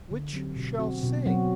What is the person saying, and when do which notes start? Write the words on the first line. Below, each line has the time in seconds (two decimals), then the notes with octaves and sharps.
Which shall sing?'
0.11 D3
0.33 F#3 C4 G4
0.56 B2
0.79 F#3 C4 F#4
1.03 B2
1.26 F#3 C4 F#4